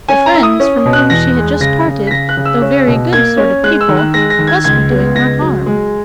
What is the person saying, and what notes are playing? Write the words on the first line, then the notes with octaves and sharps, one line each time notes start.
The friends from whom she had just parted, though very good sort of people, must be doing her harm.
C#4 G#5
A#5
E4
D#6
C#4
B2
F#6
E2 A#6
G#3
C#3 A#6
C#3
B6
C#3 A#6
F#6
C#3
E6
C#4
B2
A#3 G#6
C#4
G#3 F#6
E6
D#3
F#6
G#3 A#6
A#6
D#3
G#6
C#2 G#6
B3
C#2 A#6
F#3
G#3